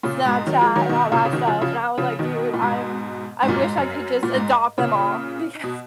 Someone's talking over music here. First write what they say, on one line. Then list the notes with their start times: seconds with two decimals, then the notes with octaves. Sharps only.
Snapchat and all that stuff, and I was like, dude, I'm, I wish I could just adopt them all because,
0.03 A#2 C#3
0.26 G#2 B2
0.47 D#3 F#3
0.61 F3 G#3
0.76 D#3 F#3
0.89 B2 D#3
1.12 A#2 C#3
1.25 C#3
1.33 B2 D#3
1.47 C#3 F3
1.61 C#3 F3
1.98 C#3 F3
2.19 B2 D#3
2.54 A#2
2.62 G#2 B2
3.43 G#2
3.48 F#2 A#2
3.62 G#2
3.77 F#2
4.23 A#2
4.35 G#2
4.78 A#2 C#3
5.64 B2